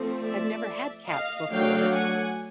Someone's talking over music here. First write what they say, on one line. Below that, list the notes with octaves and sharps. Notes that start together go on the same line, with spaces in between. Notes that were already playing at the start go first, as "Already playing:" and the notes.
I've never had cats before,
Already playing: F3 A3 C4
D5 E5
D#5 F5
F#3 A3 D4 F5 G5
F#5 G#5